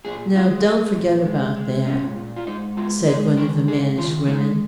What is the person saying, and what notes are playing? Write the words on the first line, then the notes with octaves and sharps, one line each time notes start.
"Now, don't forget about that," said one of the mannish women.
A#2 G#4
G#3 F4
G#3
A#2
G#3
G#3
A#2 C#4
A#2
F4
G#2 D#4
G#3 F4
G#3 G#4
D#3 A#4
G#2 G#4
D#3 F4
G#3 D#4